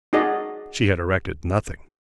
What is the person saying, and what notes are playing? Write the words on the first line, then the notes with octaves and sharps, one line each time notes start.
She had erected nothing.
D#4 F#4 G#4 D5 D#5